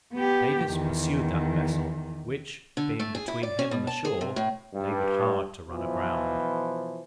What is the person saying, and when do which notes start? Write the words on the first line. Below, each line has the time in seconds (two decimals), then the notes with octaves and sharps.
Davis pursued that vessel, which, being between him and the shore, labored hard to run aground.
0.14 B3 G4
0.66 E2 D#3
2.77 D3
3.00 A3
3.15 G#4
3.28 E4
3.43 D5
3.59 C#4
3.71 B2
3.87 A5
4.05 G#4
4.21 C3
4.36 A2
4.75 G2
5.68 B2 E3 F3